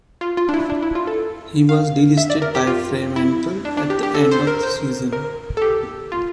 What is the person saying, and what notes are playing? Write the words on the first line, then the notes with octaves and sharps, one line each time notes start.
He was delisted by Fremantle at the end of the season.
F4
F4
D4
E4
D4
E4
F4
A4
F5
E5
D5
A#4
G4
F4
E4
D4
D4
G4
G4
A4
C5
A#4
C5
A#4
A4
G4
F4